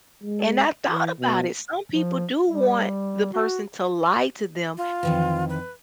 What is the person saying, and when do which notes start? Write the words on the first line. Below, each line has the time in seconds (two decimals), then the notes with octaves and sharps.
And I thought about it, some people do want the person to lie to them,
0.23 G#3
0.87 E3
1.19 B2
1.92 F3
2.47 G3
3.33 F#4
4.77 F4
5.03 F2 D#3 E3
5.49 B4